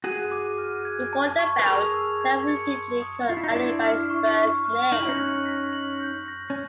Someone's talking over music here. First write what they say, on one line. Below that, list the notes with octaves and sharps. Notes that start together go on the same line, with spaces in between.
Before the bout, Terrell repeatedly called Ali by his birth name.
F#4 G#4 D#7
D6
F6
G#6
A5
C#6
B4
G#4 A#4 F7
E6
G#6
C#7
C6
D#6
F4 C7
E4
D#4
D4 E4
C6
F6
C#6
C#6
F6
D#4 F#7
E4
C#4 D#4
F#6
B6
F#7
G6
A#6
C#4